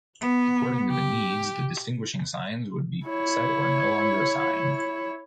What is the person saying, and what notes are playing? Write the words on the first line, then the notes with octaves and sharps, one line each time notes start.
According to the needs, the distinguishing signs would be set or no longer assigned.
B3
G4
E4 C#5